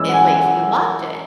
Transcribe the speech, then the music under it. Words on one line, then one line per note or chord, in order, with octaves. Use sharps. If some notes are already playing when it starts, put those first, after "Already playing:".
it like he loved it!
Already playing: F#2 E3 G#3 E6
F#5
G#5
F#5